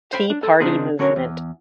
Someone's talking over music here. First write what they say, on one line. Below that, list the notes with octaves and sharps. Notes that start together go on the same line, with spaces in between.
Tea Party movement.
C5 F5 G5 B5
D4
A4
C#3 C4 D4 D#4 F4 G#4
D3 C#4 F#4 A#4 C#5
E2